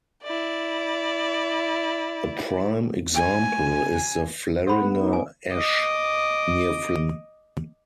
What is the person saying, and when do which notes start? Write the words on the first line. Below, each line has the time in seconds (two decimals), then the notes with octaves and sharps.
A prime example is the Fleringer Esch, near Fleringen.
0.23 E4 D5
3.15 G#5
4.67 A4 C5 F#5 B5
4.81 B3
4.99 D#4
5.13 G#5
5.53 D#5 D6